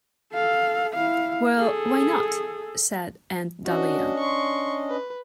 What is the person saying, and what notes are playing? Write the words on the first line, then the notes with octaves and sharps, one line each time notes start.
'Well, why not?' said Aunt Dahlia.
A4 F5
E4 F5
G#4 A4
C#4 D4 F#4 D#5
C6 C#6
B4